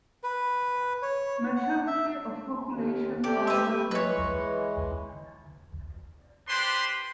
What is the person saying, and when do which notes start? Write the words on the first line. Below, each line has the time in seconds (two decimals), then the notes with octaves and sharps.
Majority of population are Muslims.
0.24 B4
1.02 C#5
1.56 F#5
1.87 E5
2.72 D#2
3.24 C3 A3 G4 D5
3.47 B4 E5
3.91 E3 G#3 B4 C#5
6.49 D4 G4 B4 C5 C6